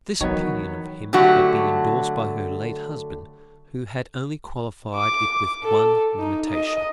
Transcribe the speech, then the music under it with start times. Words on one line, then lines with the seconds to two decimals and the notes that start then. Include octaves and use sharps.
This opinion of him had been endorsed by her late husband, who had only qualified it with one limitation.
0.21 D#3 E3 F#3 B3 C#5
1.13 D3 F#3 A3 F#4 G4
4.95 D6
5.64 A4
6.20 D#4
6.51 D#5